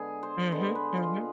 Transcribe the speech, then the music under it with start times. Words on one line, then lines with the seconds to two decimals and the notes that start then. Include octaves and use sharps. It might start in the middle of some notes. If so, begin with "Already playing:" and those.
Mhm, mhm.
Already playing: D3 G#3 B3 G#4
0.23 C5
0.52 D3 G#3 B3 C5
0.75 B4
0.97 F4